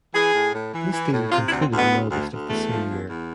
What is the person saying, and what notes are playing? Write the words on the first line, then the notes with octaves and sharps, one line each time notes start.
This deal concluded in August of the same year.
E3 G#4
A2
A2
E3
E3
A2
C3 F4
E4
D2
C4
D2 B3
D2
D2
D2
E2 A3
F3
E2
E2